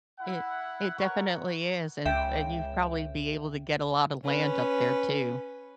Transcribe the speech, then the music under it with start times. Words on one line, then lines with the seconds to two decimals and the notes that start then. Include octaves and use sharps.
It it definitely is, and and you've probably be able to get a lotta land up there too.
0.20 E4 F#5
0.99 A#4 B4 C#5 F#5 C#6
2.06 C#2 E5 G5
4.24 C#4 B4